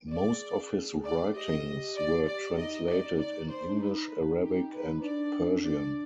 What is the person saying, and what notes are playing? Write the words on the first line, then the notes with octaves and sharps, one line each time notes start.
Most of his writings were translated in English, Arabic, and Persian.
G#4 D5
D5
G4 D#5
D5
D5
D#4 D#5
D5
D5
C5
D4
D#4 B4
G4
B4
D4 D5
D5